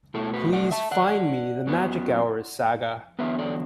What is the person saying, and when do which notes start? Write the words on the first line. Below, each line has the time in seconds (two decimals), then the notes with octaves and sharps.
Please find me the Magic Hour saga.
0.14 B2 A3 E4 A4
0.34 F#4 B4
0.53 D5 F#5
0.71 E5 A5
0.91 D5 F#5
1.67 F#2 F#3 B3
3.19 E2 D3 F#3 B3 B4 E5
3.38 A4 D5